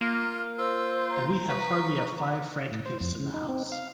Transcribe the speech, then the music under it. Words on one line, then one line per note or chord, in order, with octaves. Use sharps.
And we have hardly a five-franc piece in the house.
A#3 F4 F6
F4 C5 E6
A#5
B4 C#6
A2
C5
F2
C#3
D#4
C4
F5